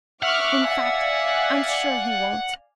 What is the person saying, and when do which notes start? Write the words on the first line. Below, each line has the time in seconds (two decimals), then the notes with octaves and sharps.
In fact, I'm sure he won't.
0.23 E5 F#5 C#6 D6 F6
0.67 D5 F5 G#5